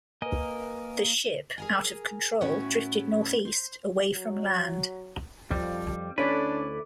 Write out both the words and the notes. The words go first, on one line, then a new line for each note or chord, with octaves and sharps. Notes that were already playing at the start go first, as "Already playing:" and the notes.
The ship, out of control, drifted northeast, away from land.
A#3 A#4 B4 D#5 G#5
G#4 A#4 G#5
A2 B3 C#4 E4 F#4
C5
F#3
F2 F3 G3
D2 C#4 D4 E4 A4 B4 D6